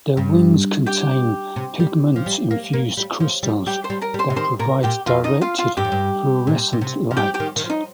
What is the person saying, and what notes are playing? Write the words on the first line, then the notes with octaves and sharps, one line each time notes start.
Their wings contain pigment-infused crystals that provide directed fluorescent light.
G2
G4 G5
C3
G3
F3
G3
A#3
A#3
G3
F3
G3
G3 G4 G5
C5 C6
G3
A#4 A#5
G3
C5 C6
C3
D#3 C5 C6
A#2 A#4 A#5
A#2 G4 G5
F2 F4 F5
D#4 D#5
F4 F5
F4 F5
G2 G4 G5
F2
G2
A#2
A#2
C3
F3
G3 G4 G5
G4 G5
D#3
D#3
F3
D#4